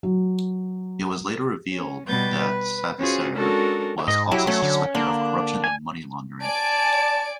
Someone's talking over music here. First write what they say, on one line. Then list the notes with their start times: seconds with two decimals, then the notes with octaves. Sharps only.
It was later revealed that Savisaar was also suspected of corruption and money laundering.
0.03 F#3
1.73 C#4
2.08 B2 G3 B4 G6 A6
2.40 B4
2.99 C#4 F4 F#4 G#4 C5
3.33 G#3 C#4 D4 F#4 A4 A#4
4.08 G#2 D#5
4.31 F#3 E4 G4
4.47 A3 C#4
4.62 D3
4.95 D3 A#3 D4
5.64 G#5
6.42 D5 G#5 A5 D7